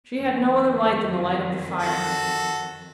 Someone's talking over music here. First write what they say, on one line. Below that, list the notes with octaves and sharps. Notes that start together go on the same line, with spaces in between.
She had no other light than the light of the fire.
F2 D#3
F#4 A4